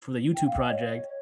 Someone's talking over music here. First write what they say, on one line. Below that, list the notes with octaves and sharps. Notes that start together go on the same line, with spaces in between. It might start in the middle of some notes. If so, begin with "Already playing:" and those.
for the YouTube project,
G5
F5
D#5
C#5